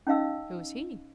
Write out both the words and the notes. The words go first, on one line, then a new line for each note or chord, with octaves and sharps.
"Who is he?"
C#4 D#4 D#5 F5 E6